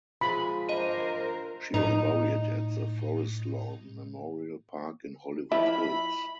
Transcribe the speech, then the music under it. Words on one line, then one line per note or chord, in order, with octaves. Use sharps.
She was buried at the Forest Lawn Memorial Park in Hollywood Hills.
F3 G#3 G#5 B5
D4 A#4 C5 D#5 D#7
A2 D#4
F3 E4 E5 B5